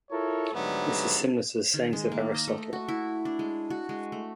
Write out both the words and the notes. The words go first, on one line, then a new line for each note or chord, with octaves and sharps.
This is similar to the sayings of Aristotle.
E4 F4 A4 A#4 C#5
G#2 D3 F#3 G3 A3 B3
D#3
G#3
A#3
D#5
A3
F#4
E4
D4
G#3
F#4
G#3
A3